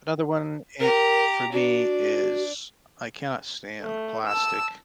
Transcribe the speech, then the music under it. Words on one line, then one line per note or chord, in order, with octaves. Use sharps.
another one i for me is, I cannot stand plastic.
G4 A#4 A#5
D4 F#4
A3
A5 E6